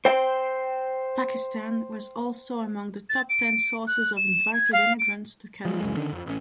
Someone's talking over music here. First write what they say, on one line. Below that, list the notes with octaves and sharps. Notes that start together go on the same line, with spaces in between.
Pakistan was also among the top ten sources of invited immigrants to Canada.
C5 G5
A6
D7
F#6
E7
G#6
F5
D7
F3 G#3
C#2 F#2 G#3
D3 D#3 C#4 D4
F2
A1 C#4